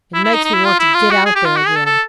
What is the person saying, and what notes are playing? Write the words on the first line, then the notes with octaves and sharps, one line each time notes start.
It makes me want to get out there again.
E4
E4
D#4
D#4
E4
F4
E4
F4
F#4
G#4
G4
F4
F#4
G#4
A4
A4